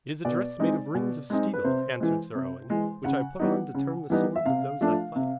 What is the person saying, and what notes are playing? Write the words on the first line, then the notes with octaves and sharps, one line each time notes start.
'It is a dress made of rings of steel,' answered Sir Owen, 'which I put on to turn the swords of those I fight.'
B2 D5
G#3 C4 D#4
B2
G#3 C4 D#4
B4
C3 C5
E3 G#3
C3
E3 G#3
C#3 F#5
E3 G3 B3 D#4
C#3
E3 G3 B3 D#4
E5
C3 F5
F3 A3 D4
C3